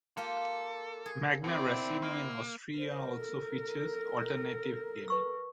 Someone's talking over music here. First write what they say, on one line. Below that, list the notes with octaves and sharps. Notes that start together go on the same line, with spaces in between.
Magna Racino in Austria also features alternative gaming.
A#3 F4 G4 A4
G#4
B2 C4 E4 D5
A#3
A#4 C5
A4
B4 C#6 E6